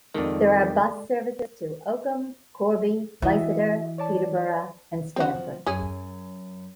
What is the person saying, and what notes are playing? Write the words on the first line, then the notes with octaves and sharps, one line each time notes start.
There are bus services to Oakham, Corby, Leicester, Peterborough and Stamford.
F2 D#3 G#3 A4 D5
E3 F#4 D#5 E5
C#5 D5 A5
C4 F#4
F3
F#2 C#4 G#4